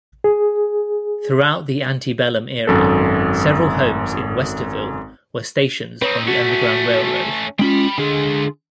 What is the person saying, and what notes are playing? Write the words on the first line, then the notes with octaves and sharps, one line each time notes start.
Throughout the Antebellum era, several homes in Westerville were stations on the Underground Railroad.
G#4
G#1 F#2 A4
C4 D#4 B4 C#5
A3 C#4 F#4
G#3 C#4 F4 G5 B5
D3 G#3 F4 G#4